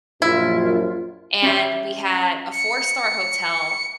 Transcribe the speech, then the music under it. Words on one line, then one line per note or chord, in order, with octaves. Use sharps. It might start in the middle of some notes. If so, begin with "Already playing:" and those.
and we had a four-star hotel,
A#1 F#2 E4 F4
C#4 G4 E5
C#7